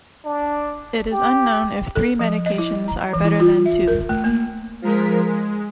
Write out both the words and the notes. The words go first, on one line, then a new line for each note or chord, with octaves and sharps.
It is unknown if three medications are better than two.
D4
G4
A4
F3
D#5
E4
A#5
E3
E4
F4
E5
A#4
A3
A#3
F3 G#3 A#4 B6
G#3